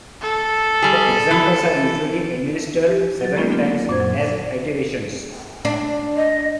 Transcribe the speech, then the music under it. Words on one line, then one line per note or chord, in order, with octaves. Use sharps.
The examples are usually administered several times as iterations.
A4
G3 G#4
E3
G4
F#3 A6
G#3 A#3 B3 C#4 D#4 F4
A#3 C4 D4 F4 A#4
F#2 A#2 C5 G#6
A#2 F#3
D4
D#5